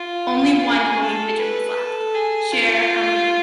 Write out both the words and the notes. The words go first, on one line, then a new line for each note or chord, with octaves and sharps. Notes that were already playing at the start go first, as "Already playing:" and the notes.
Only one homing pigeon was left: "Cher Ami".
Already playing: F4
G#4
A4
B4
A4
G#4
F4